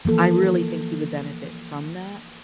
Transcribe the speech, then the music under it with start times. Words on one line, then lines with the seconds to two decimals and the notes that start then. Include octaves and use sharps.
I really think he would benefit from that.
0.05 E3 F3 A#3 A4